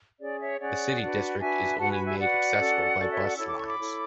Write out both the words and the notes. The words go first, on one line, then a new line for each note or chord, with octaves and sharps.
The city district is only made accessible by bus lines.
C#4 G#4 C#5 D5
C#5 E5
C#4 G#4 C#5 D5 F#5
D4 F#4 B4
D4 F#4 B4 E5 G#5
F#4 B4 F#5 A5
G#5 B5
E5 G#5
F#4 B4 D5 F#5
C#4 F#4 A4
C#4 F#4 A4 D5
C#5 E5
D5 F#5
E4 A4 C#5 E6
D6
C#6
B5 D6
E4 A4 C#5